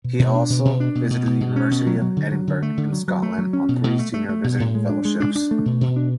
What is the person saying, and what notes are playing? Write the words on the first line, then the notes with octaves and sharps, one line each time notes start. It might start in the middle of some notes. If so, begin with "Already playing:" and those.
He also visited the University of Edinburgh in Scotland on three Senior Visiting Fellowships.
B2
B2
D4
B2
B2
D4
B2
B2
B2
B2
C#4
B2
F#3
F#3
D3
F#3
D3
A3
D3
F#3
F#3
A3
F#3
C#4
B2
B2
A3
A3
A3
B2
A2
G#3
D4
G#3
D4
D4
A3
B2
B2
D4